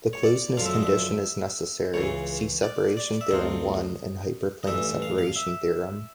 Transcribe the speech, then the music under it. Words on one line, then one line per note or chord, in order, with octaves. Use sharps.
The closedness condition is necessary, see Separation theorem I in Hyperplane separation theorem.
C#5
D5
F#2 D3 F3 F5
E5
D#5
E5
C#2 C#3 E3 C#5
D5
D5
E5
D2 C3 F3 D#5
D#5
A1 G2 E3 E5
F5
F5
E5